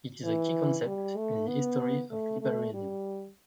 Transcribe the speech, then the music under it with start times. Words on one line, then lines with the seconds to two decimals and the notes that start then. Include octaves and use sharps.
It is a key concept in the history of liberalism.
0.24 E3
0.86 G3
1.17 A3
1.48 B3
2.11 A3
2.41 A3
2.73 G3